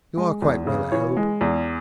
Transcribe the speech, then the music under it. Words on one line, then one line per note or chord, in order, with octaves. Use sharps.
You are quite well, I hope?
G#3
E2
C#3
E3 C#5
G#3
E2